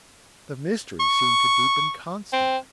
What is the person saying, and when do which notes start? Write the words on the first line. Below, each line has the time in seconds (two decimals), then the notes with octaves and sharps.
The mystery seemed to deepen constantly.
1.00 C#6
2.33 C4